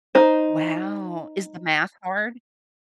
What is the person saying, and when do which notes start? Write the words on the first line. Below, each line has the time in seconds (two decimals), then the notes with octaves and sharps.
Wow, is the math hard?
0.15 D#4 C5